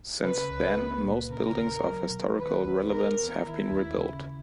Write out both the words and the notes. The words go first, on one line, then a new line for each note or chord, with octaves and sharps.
Since then, most buildings of historical relevance have been rebuilt.
C#3 B4
C#2
A#3
A#2
C#3 A#4
D#2
F#3
B2
D#3 B4
D#2
B3 A#4
E3
D#3 E4
D#2
C#3